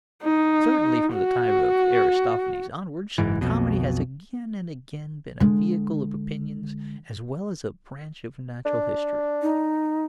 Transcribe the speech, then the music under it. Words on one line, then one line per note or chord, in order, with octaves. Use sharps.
Certainly, from the time of Aristophanes onwards, comedy has again and again been a vehicle of opinions as well as a branch of natural history.
D#4
F#4
F#1 G#2 E3
B1 F2 B2
D3 G#3
D4
D#4